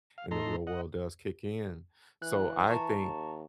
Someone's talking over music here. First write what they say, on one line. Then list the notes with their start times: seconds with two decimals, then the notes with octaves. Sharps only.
and the real world does kick in. So I think
0.18 F5
0.31 A2 D#4 A4 A#5 C6
0.67 D#5 F#5
2.22 E3 F#6
2.69 E3 A5 A#5 C#6
3.01 D#2